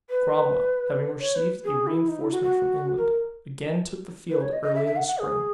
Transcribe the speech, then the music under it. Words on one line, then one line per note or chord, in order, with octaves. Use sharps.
Cromwell, having received a reenforcement from England, again took the field early in the spring.
B4
C#5
B4
G#4
E4
D#4
E4
F#4
F#4
A#4
B4
C#5
D#5
D#5
E5
E5
F#5
F#5
G#4